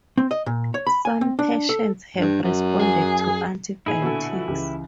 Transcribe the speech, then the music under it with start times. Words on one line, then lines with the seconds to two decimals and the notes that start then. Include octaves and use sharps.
Some patients have responded to antibiotics.
0.18 C4
0.31 D#5
0.46 A#2
0.74 C#5
0.86 B5
1.05 G#5
1.21 C4
1.39 D4
1.69 A4
2.17 G2
2.43 F#2
2.80 G#4
3.86 A#2 D#4 E4 G#4 G#5
4.02 B2 D3 A4
4.34 F3
4.48 C#2 E3 G4